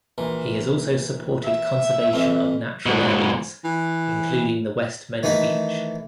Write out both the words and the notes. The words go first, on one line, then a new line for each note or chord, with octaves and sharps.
He also supported conservation of natural areas, including the West Meadow Beach.
A#1 E3
E5
F2 E3
G#2 B2
E3
D#3 E3 A3 D#4 E5